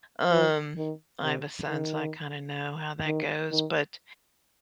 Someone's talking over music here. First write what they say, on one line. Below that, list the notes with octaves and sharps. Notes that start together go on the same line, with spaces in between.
um, I have a son, so I kinda know how that goes, but,
F3
D#3
C3
D#3
D#3
D#3